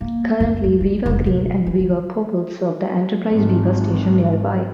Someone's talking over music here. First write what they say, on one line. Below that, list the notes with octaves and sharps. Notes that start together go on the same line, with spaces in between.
Currently, Viva Green and Viva Purple serve the Enterprise vivastation nearby.
A#3
F#2
G#3
E3
F1
B2
C#4
D#3
G#1